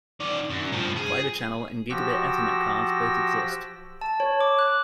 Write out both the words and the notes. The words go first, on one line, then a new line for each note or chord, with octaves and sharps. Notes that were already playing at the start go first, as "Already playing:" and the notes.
Fibre channel and Gigabit Ethernet cards both exist.
D#3 D5
F#2
G2 F3
G#4
F3 F#4 G4 E6 A#6
A5
C#5
D6
F#6